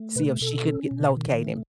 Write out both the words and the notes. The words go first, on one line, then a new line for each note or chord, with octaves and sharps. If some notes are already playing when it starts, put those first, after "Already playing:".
see if she could g locate him.
Already playing: A3
B2 B4
B2 A4
C#4
B2
D#3
A3